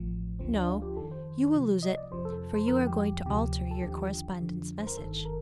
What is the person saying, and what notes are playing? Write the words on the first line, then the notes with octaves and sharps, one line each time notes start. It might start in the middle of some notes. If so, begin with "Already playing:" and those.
"No, you will lose it, for you are going to alter your correspondent's message."
Already playing: A1 A2 F3
D2 D3 F3 C4
D4
F4
G4
F2 D#3 A4
C5
C2 C3 F3
D#5
D5
F2 C3 F3 C5
A4
C5
F2 D3 F3 A#4
G4
D2 C3 F3 G4
A4
D#2 D3 F3 G4
F2 D3 F3
C5
A#4
G1 G2 D#3 A4
A#4